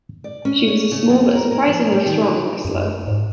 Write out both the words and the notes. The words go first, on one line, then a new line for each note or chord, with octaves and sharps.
She was a small but surprisingly strong wrestler.
D5
C#4
C#5
C#3
F2
A#4
A#4
F3
G3
D#3
D3
F#2
G#2